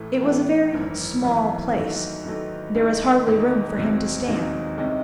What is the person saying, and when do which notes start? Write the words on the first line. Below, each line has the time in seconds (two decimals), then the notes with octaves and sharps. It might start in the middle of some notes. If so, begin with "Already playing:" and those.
It was a very small place; there was hardly room for him to stand.
Already playing: A1 A2 E3 A3
0.22 A1 A2 E3 A3
0.72 G#1 F#2 E3
1.23 G#1 F#2 E3
1.73 E2 D#3 F#3 A3
2.24 E2 D#3 F#3 A3
2.75 E1 E2 D#3 A3
3.26 E1 E2 D#3 A3
3.77 E1 D#2 D#3 F#3 C4
4.27 E1 D#2 D#3 F#3 C4
4.77 C2 C3 D#3 G#3 C#4